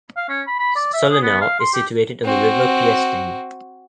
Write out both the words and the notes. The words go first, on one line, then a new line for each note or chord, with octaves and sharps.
Sollenau is situated on the river Piesting.
F5
C#4
B5
B5
D5
E5
G#4
B3
F5
C6
G4
C4 F#4